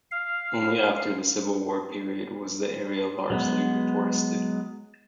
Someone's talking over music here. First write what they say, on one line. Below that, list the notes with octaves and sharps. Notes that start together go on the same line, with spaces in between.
Only after the Civil War period was the area largely reforested.
F5
F#3 G#3 B3